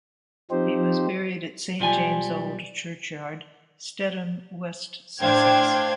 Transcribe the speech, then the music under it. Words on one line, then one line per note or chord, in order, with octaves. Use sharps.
He was buried at Saint James Old Churchyard, Stedham, West Sussex.
F3 C4 D#4 G4 C5
B1 F3 G3 G4 G#5
A2 D4 C5 F5 G5 G#6